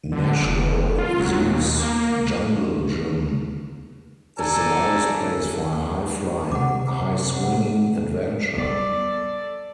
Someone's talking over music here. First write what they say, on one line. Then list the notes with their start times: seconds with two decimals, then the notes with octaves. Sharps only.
Nashville Zoo's Jungle Gym is the wildest place for a high-flying, high-swinging adventure!
0.12 D3
0.42 F1
0.98 F4
1.20 F#3
1.41 D#2
1.80 A#3
4.39 A4 D5 G#5 A#5
6.52 C3 F#5 D6
7.37 F#5
8.58 G3 B3 A4 D5